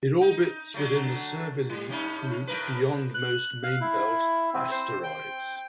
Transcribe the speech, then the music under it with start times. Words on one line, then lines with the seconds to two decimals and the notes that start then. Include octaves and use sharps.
It orbits within the Cybele Group, beyond most main-belt asteroids.
0.21 D#4
0.74 D3 F#3 A3
1.70 G3
1.89 A2 C#4 D#4
2.47 A2 A#4 B4
3.14 F#6
3.63 F5
3.81 E4
4.54 C4
4.71 C5
5.03 G5